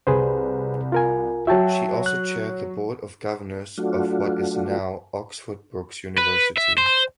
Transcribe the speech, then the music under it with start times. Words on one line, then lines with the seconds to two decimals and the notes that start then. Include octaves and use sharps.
She also chaired the board of governors of what is now Oxford Brookes University.
0.07 C2 G#4 B4 C5
0.92 F4 A#4 G#5
1.47 F#3 F#4 E5 G5 A5
2.06 F#6
3.78 F#3 A3 D4 F4 F#4
6.18 B4
6.57 E5
6.78 C5